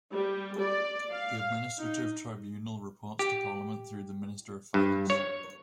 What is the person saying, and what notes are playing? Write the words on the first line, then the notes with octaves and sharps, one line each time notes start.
The administrative tribunal reports to Parliament through the Minister of Finance.
G3
D5
F5
D#4
G4
G2
C#5